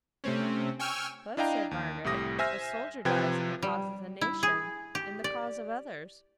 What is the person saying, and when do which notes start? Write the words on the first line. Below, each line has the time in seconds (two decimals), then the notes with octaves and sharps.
'But,' said Margaret, 'a soldier dies in the cause of the Nation--in the cause of others.'
0.24 C3 A3 C4 C#4
0.79 G5 G#5 C#6 E6 F6
1.37 D4 E4 D#5 F5 G5 A#5
1.71 D#2
2.04 C2 A2 G4 D#6 A#6
2.39 C5 E5 G#5 E6 F6 A#6
3.05 C3 F3 B4 G5 G#6
3.62 G3
4.21 E4
4.43 G#4
4.95 G4
5.24 D5